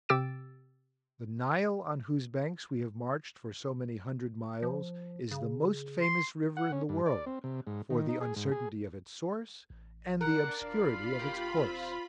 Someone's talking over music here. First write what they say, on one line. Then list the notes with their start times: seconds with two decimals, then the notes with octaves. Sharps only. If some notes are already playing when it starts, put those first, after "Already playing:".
The Nile, on whose banks we have marched for so many hundred miles, is the most famous river in the world, for the uncertainty of its source and the obscurity of its course.
0.09 C3 G4 E6 A6 D7
4.63 F3
5.31 C#3
6.01 C6
6.57 F#5
6.72 C#4
6.89 G2
7.06 D5
7.26 C4
7.44 C3
7.67 G#2
7.90 D#3
8.09 D#4
8.21 G#4
8.36 G#2
8.52 G#4
9.70 A1
10.21 D4 A#4 D5 F#5
10.62 D#1 F4 F5 B5
11.19 A#3 G4
11.56 C4 C5